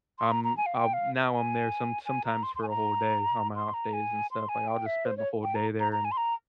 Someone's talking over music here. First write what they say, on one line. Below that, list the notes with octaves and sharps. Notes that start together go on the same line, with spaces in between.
um, um, now I'm there some sometimes for a whole day on my off days and stuff, like, I'll just spend the whole day there an
C6
A#5
A#5
G#5
F5
G5
F5
G#5
G#5
A#5
C6
C6
G#5
A#5
C6
A#5
G#5
C6
G#5
G5
E5
C5
C#5
G5
A#5
A#5
A#5
G#5
C6
A#5